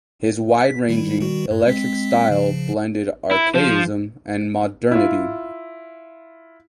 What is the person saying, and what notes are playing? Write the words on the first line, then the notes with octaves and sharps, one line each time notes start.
His wide-ranging, eclectic style blended archaism and modernity.
B6
D#3 G3 E4
D#3 G3 F#4
G2
G#3 C4 B6
C#3 F3
E4
F3
E4 F4